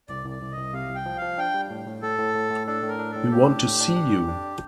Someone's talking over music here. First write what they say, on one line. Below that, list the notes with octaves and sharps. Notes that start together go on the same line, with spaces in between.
We want to see you.
C2 D5
C2 D5
C2
D#5
C2
C3 F5
C2
G5
F3
F3 F5
D4 G5
G3
A2
A2
A2 A4
A2
A2
A2
D4 A4
A2
A#4
D4
A2 A4
A2 G4
D4
A2
D4
D4
F2
D4